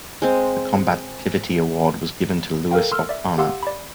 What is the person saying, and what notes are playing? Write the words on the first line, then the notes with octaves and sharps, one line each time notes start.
The combativity award was given to Luis Ocana.
G#3 C4
A4 A#4 F5 G5
C6 E6 F6
D5 E5
G4 F5 F#5 C6 E6
D5 B5